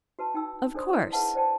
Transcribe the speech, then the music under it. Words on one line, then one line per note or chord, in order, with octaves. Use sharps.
'Of course.
F#4 B4 A5 B5
D#4 G5 B5 E6
D4 A4 C5 D5 C6 D#6
E4 B4 D5
G#4 B4 E5 F#5 A5
C5 D5 G5 A5